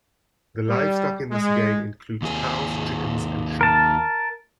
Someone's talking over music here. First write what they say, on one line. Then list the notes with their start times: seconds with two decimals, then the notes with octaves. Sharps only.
The livestock in this game includes cows, chickens, and sheep.
0.67 G3
1.30 G#3
2.22 D#2 G#4
3.61 A#4 A5